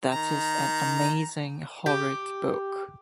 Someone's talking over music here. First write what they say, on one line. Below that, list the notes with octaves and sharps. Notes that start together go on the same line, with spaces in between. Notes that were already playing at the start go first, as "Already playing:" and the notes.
That is an amazing horrid book.
D#3 A#5
G4